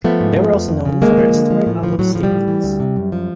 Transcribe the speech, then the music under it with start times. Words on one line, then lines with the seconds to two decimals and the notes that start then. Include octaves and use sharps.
They were also known for their esoteric album sleeve notes.
0.04 F3 A3 B3
0.21 G#2
0.37 F3
0.53 F2
0.70 F2
0.85 C#3
1.02 D#2 G#3 A#3
1.18 F3
1.34 D3
1.50 F3
1.66 A2
1.83 F3
1.99 A2 F#3
2.15 F3
2.23 G3
2.32 A2
2.48 E3
2.64 D2
2.80 C3
2.96 F#2
3.12 F3